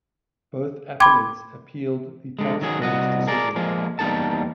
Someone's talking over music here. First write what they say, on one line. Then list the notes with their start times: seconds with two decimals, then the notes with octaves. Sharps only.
Both appellants appealed the Tax Board's decision.
1.00 G5 B5 C6 D6 G#6
2.39 D3 G#3
2.61 D#3 F#3 G#4
2.80 C2 F#4 D#5
3.27 G#4 A#4 D5
3.56 F3 G#3 A#3
3.99 E2 G3 A#3 D#4 A4 A5